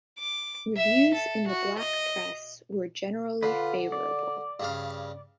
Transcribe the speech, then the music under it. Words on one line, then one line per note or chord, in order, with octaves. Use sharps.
Reviews in the black press were generally favorable.
D6
E5
A4
F#4
D#5
D3 F4 B4
D5
G2 C#3 F5